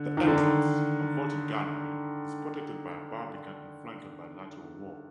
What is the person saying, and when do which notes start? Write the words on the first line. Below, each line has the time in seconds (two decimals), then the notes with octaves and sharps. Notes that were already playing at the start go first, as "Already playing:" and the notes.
The entrance-a vaulted gallery-is protected by a barbican and flanked by a lateral wall.
Already playing: D3
0.17 D#3
0.27 D3
0.36 D#3